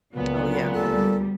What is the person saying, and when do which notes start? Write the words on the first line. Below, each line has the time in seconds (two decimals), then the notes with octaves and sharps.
Oh, yeah.
0.15 C#2 A#2 F#3 B3
0.74 D2 G3 A4